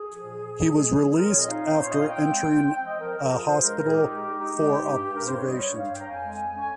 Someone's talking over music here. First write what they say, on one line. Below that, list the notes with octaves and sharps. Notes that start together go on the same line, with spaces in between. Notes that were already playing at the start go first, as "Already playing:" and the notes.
He was released after entering a hospital for observation.
Already playing: G#4
F3
A#2
A#2
F3
G#3
F3
F3
G#4
C4 A#4
A#2 C#5
D#5
D#4 F5
C4
C5
A#2 C#5
D#4 D#5
F5
C4 G5
G#3
C4
C4
C4 G5
F3 D#5
F3 A#4
F3 A#4
F4 G#4
G2 C5
G#3 A#4
A#2 A#4
G#4
D#4 G4
G#3
D#4
D#4
G#3 G4
D#4
G2
G2
G2 A#4
C5
G2 C#5
G3 D#5
G2 C#5
G2 F5
G3 G5
A#5
F2 G#5
G#3
F2
C#4
G#5